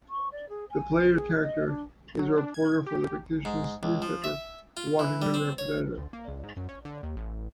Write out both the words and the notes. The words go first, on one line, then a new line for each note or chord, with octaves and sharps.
The player's character is a reporter for the fictitious newspaper "The Washington Representative".
C#6
D5
G#4
G#5
G#4
D#5
D4
F#3
D4
G#6
G4
G#2
C#2
F3
E5
F4
E3
G3
C4
C#5
D2
A#3
C#2
G#2
F#2
C#4
D3
D#2
A1